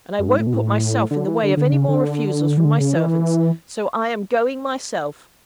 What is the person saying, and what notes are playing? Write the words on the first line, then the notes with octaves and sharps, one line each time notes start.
And I won't put myself in the way of any more refusals from my servants, so I am going myself.'
F#2
G#2
A2
B2
A2
D3
E3
D3
D3
C#3
D3
E3
D3
C#3
E3